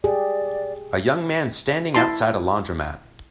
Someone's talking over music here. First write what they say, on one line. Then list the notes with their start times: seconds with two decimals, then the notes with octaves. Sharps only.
A young man standing outside a laundromat.
0.04 G4 G#4 D5
1.94 E4 A5 C6